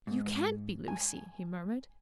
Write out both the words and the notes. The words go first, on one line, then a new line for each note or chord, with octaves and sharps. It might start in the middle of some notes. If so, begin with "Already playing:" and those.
"You can't be Lucy!" he murmured.
G#2
G#5